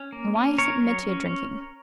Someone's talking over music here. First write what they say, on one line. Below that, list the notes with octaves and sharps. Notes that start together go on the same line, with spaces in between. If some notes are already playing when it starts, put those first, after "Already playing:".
And why isn't Mitya drinking?
Already playing: C#4
A#3
C#4
C#4 A#4 C#5
F#3
C#4
C#4